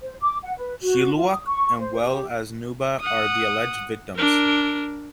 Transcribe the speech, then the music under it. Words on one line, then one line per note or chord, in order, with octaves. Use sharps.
Shilluk and well as Nuba are the alleged victims.
C5
D6
F#5
B4
F#4
F4
D#6
C#6
C5
G4
F#5 D#6
D4 A#4